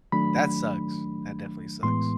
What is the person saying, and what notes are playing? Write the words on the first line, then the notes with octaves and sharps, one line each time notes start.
That sucks. That definitely sucks.
D#3 F#3 A3 D4 B5
A2 E3 G#3 B3 C6